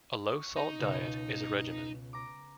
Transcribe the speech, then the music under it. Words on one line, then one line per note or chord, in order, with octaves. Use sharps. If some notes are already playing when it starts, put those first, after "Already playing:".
A low-salt diet is a regimen.
C#6
D#4
C#2 B2
A#5 D6